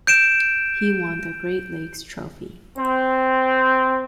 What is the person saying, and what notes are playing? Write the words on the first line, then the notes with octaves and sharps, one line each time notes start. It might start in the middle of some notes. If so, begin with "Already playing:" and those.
He won the Great Lakes Trophy.
G6 D7 E7
C4